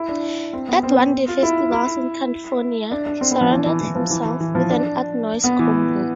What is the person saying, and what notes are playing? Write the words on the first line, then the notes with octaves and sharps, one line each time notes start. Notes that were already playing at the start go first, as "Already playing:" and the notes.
At one-day festivals in California, he surrounded himself with an artnoise combo.
Already playing: E4
D4
C4
B3
C4
F4
E4
E4
D4
D4
C4
B3
F3
E3
E3
E3
F3
E3
E3
E3
F3
D4
B3
E3